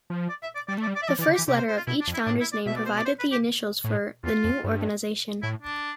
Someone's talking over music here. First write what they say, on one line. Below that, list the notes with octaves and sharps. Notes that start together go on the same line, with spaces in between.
The first letter of each founder's name provided the initials for the new organization.
F3
D5
E5
D5
G3 D5
A3
D5
G3
D5
E5
F3 D5
E3
D5
D3
G4
E3
C3 G4
C5
C5
F4
B2 E4
D4
F2
E4
A2 D4
E4
D5
B2 E5
D5
C5
D5
C5
B4
G4
A2
E2 F4
F2
G2
A2 E4
D4